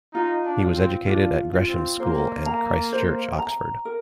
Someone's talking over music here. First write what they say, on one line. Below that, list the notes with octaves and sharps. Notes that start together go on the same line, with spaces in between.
He was educated at Gresham's School and Christ Church, Oxford.
D#4 F4
D4
F4
C4
D4 F4
F4
C4
A#3 C5
A#5
C5
A#5
A#4